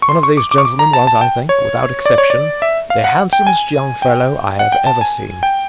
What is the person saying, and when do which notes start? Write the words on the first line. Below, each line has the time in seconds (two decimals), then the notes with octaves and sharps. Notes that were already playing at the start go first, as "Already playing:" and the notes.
One of these gentlemen was I think, without exception, the handsomest young fellow I have ever seen.
0.02 C#6
0.09 C6
0.23 C#6
0.37 D6
0.51 D6
0.58 C#6
0.65 D6
0.79 A#5
0.93 A5
1.07 A5
1.21 G5
1.49 C#5
2.06 D5
2.18 C#5
2.30 D5
2.62 E5
2.90 F5
3.04 F#5
3.33 G5
3.47 G#5
4.02 G5
4.59 F#5
4.72 G5
4.87 A5
5.01 G#5
5.43 G5